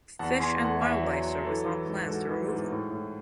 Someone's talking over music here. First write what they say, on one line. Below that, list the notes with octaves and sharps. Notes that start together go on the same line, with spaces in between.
Fish and Wildlife Service on plans to remove them.
E2 F#5 A5
E2 G#5 C6
E2 F#5 A5
E2 E5 G#5
F#3
F#3
E3 A4 C#5
E3
G#2
G#2 F#4 A4
E3
G#2
A2
A2